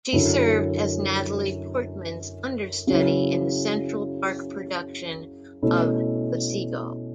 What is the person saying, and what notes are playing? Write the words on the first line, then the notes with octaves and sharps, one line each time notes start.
She served as Natalie Portman's understudy in the Central Park production of "The Seagull".
F#2 D3 F#3 C#4 E4
C#3 F#3 C#4 E4
B2 A3 C#4 E4